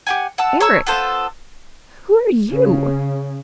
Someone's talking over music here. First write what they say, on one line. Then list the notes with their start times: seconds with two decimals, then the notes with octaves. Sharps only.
"Eric,--who are you?"
0.07 G4 F#5 G#5
0.38 F#5 A5 E6
0.60 C#5 A#5 E6
0.87 B3 F4 A4 C5
2.47 C#3